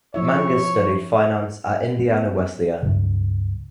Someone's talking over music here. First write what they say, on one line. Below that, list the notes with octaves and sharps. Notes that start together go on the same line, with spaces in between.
Mangas studied finance at Indiana Wesleyan.
F3 E4 C#5 E5
B3
C#2 G2 C#3